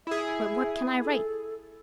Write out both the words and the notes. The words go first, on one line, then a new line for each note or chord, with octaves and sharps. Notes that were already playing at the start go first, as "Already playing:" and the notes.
But what can I write?
E4 G#4 E5
A4